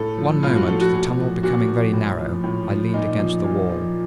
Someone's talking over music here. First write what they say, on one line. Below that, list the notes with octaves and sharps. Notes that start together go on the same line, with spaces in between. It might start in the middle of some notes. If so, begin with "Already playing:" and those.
At one moment, the tunnel becoming very narrow, I leaned against the wall.
Already playing: A2 A4
F3
A2 F4
F#4
F3 A4
F#4
A#2
F3
A#2 F#4
F3
A2
F3
A2
F3
A#2 D#4
F3
A#2
F3